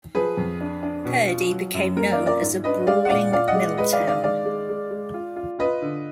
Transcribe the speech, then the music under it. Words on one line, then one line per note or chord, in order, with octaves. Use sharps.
Purdy became known as a "brawling mill town".
F3 G#4 B4
F2
D4
D4
B2
F4
F#3
F#2
A#3 A#4
D5 F5
F4
A#4 D5
G#2
D4 B4 D#5
G#3 D5 F5
F#5
A#2 D5 F5
F4 D5 F5
D#5 F#5
G#3
G#3 B4 D#5
D5 F5
D#3
D5 F5
G#3 D5 F5
G#3
G#3
G#3
F4
F4
F4 B4 D#5
D3